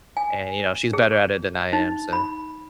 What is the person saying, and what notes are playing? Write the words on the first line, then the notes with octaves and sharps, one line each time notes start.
and, you know, she's better at it than I am, so
G#5
G#4
D#4
B5